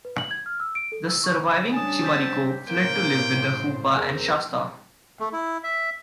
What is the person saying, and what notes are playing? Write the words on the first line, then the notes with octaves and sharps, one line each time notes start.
The surviving Chimariko fled to live with the Hupa and Shasta.
B4
F#7
G#6
F6
E6
D7
A4
E6
C#6
G3 C#4 D4 G#5 A5 D#6
C4 D6 G6 B6
A2 C#3 A#3 C5 G5
A3 C#4
E2 C4 G#4 A#4
A3
E4
E5